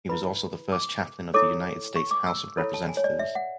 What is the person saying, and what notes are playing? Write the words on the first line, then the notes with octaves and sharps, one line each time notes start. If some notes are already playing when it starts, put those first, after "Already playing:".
He was also the first Chaplain of the United States House of Representatives.
E4 B4 B5
D6
E4 A4 C#5 D6
C#6
D6
E6
E4 A4 C#5 B5
A5
G#5
C#5
D5
E5
F#5